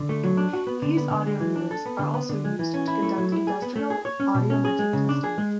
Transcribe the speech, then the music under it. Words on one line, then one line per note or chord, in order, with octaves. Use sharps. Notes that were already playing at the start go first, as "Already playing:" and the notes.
These audiometers are also used to conduct industrial audiometric testing.
Already playing: D3
A3
F#3
D4
F#4
B3
D3
B3
D3
G#3
E3
D4
A4
B3
D3
B3
D3
G#3
E3
C#4
E4
A3
F#3
E4
G#4
B3
A3
G#4
C#5
C#4
B2
C#4
G#4
G#3
C#3
D4
G#4
G#3